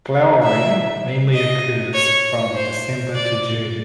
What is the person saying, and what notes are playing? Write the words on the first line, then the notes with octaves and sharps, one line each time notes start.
Flowering mainly occurs from December to June.
E5
D#5
C#5
C5
D5